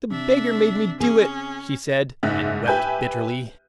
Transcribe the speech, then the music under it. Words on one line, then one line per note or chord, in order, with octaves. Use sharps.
The beggar made me do it', she said, and wept bitterly.
C3 D4 E5
C#4 G#4
F#1 G#2 D#4 E5 F#6
G4 B4 E5 G#5 G6